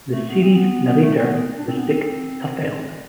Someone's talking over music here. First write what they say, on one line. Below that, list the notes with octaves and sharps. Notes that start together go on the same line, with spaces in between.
The series' narrator was Dick Tufeld.
A3
B3
C4
B3
B3
A3
C4
B3
D4
C4
B3
C4